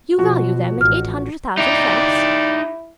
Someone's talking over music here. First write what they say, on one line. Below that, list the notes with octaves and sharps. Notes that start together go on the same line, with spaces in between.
"You value them at eight hundred thousand francs?"
B2 F3 F#4
A1 F6
D#4 E4 G4 D5